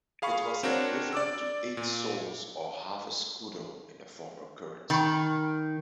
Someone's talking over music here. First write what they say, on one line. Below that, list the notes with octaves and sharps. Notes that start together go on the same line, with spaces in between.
It was equivalent to eight "soles" or half a "scudo" in the former currency.
G#4 F5 B5 C#6
C4 D4 F#4 A#4 C#5
D5 D6 E6
A#2
D#3